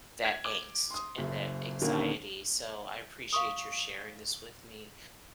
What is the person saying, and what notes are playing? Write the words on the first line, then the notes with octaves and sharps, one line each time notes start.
that angst and that anxiety, so I appreciate you're sharing this with me.
G#6
D6
C6 D#6
F#1 F#2
D#1 D#2 D3 A#3 C#4
F5 C#6 D#6